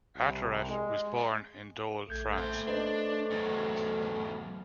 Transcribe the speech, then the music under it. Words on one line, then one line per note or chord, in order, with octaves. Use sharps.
Attiret was born in Dole, France.
C2
G#3
A#1 A3 G6 G#6
A#2 C5
D4 B4 C5 D#5
E2 F#3